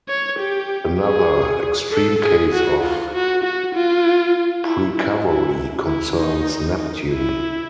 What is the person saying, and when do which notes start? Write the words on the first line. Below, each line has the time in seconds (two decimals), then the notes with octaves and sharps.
Another extreme case of precovery concerns Neptune.
0.09 C#5
0.39 G4
1.00 G#4
1.92 A4
2.22 G#4
2.52 F#4
2.83 F4
3.14 F#4
3.43 F#4
3.75 F4
4.65 E4
4.95 E4
5.26 E4
5.87 E4
6.18 D#4
7.09 E4